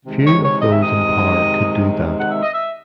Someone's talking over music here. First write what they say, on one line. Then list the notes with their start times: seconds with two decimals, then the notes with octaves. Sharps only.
Few of those in power could do that.
0.05 C3 D#3 G#3
0.24 C#5
0.43 C#5
0.61 D#5
0.72 E5
0.82 D#5
2.18 F#5
2.28 E5
2.43 D#5
2.53 E5